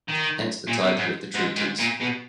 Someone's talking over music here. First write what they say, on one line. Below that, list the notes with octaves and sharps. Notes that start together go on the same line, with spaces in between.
Hence the title of the treatise.
D#3
A#2
B2
G#2
G#2
G#2
A#2
B2